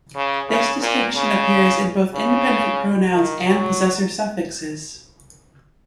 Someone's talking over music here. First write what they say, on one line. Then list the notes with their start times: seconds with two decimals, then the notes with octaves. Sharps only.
This distinction appears in both independent pronouns and possessor suffixes.
0.16 C#3
0.49 C#3
0.81 A#2
1.15 C#3
2.14 C#3
3.13 D#3
3.45 F#3